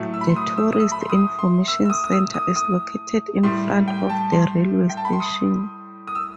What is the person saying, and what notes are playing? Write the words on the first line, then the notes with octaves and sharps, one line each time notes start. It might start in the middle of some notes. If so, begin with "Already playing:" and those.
A tourist information centre is located in front of the railway station.
Already playing: A2 F#3 A3
E6
B5
C6
D#6
E6
D#6
E6
B5
C6
D#6
C6
E6
E6
D#6
D#6
E6
D#6
D#6
A2 G3 C6
G5
A5
C6
G5
A5
B5
C6
D#6
D#6
E6